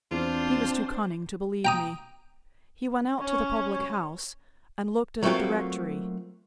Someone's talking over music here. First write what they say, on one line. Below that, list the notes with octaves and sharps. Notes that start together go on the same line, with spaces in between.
He was too cunning to believe me; he went out to the public-house and looked at a directory.
E2 C4 D4 F4 C5
G5 A#5 D#6
C#4 C#5
F#3 A3 A#3 C4 F4 F#4